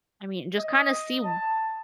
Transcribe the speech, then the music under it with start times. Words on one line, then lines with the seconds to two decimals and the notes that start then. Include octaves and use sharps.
I mean, just kinda see w
0.58 D#5
1.25 A5